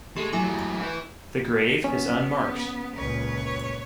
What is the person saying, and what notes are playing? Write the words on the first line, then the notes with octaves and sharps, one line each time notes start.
The grave is unmarked.
G#3 A3 G4 A4 C#6
A2 F#3 E5 G#5 D6
F#3 G#3
E4 B4 C#6 F#6 G6
B3 C#4
C#2 A#2 B4 C#5